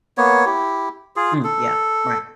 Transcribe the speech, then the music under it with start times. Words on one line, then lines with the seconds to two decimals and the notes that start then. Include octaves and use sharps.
Mm, yeah. Right.
0.18 A#3 B3 C#5
0.46 E4 G4
1.16 F4 G#4
1.44 A4